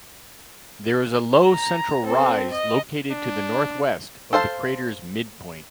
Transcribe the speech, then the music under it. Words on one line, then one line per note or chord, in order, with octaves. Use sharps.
There is a low central rise located to the northwest of the crater's midpoint.
A#5
C4 A4
D#5
D4
A4 C5 F5 A5